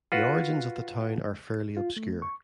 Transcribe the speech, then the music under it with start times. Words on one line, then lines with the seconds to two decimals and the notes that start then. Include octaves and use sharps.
The origins of the town are fairly obscure.
0.12 F4 F#4 B4
1.77 F4
1.97 A3
2.22 C#6